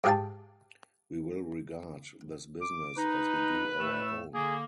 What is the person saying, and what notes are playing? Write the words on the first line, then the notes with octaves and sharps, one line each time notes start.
We will regard this business as we do our own.
G#2 G4 G#4 F5 G5 A5
D6
D#4 B4
A2 A3 E6
D3 A#3 G#4